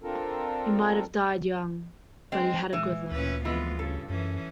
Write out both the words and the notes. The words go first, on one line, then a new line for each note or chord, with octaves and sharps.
He might have died young, but he had a good life.
C4 D4 F4 A4 A#4
G#3 C4
A#2 E3 G#3
D2 A#2 C#4 B4
F2 E3 G#3 B3 F4
G2 C#3 A4
F#2 E3 C#4